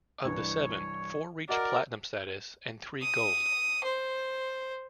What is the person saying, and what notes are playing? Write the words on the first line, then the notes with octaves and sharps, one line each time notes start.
Of the seven, four reached platinum status, and three gold.
C2 G2 E3 C#5
F#4 A#4 D5 D#5 F#5
D#6
C5